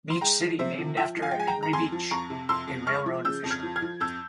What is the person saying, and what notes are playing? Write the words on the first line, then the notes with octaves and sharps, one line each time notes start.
Beach City named after Henry Beach, a railroad official.
C6
G#3 G5 A#5
F3
C3 C5 E5
F3
F3 E5 G5
F3
F5 G#5
G5
G#3 G#5
G5 A#5
G#3
A#5
F2 G#5 C6
F3
F2 A#5 C#6
C3
F2 C6 E6
F2
G#3 C#6 F6
F3
C#3 E6 G6
F2
F6 G#6
F3
F6 G#6
F3
F2 E6 G6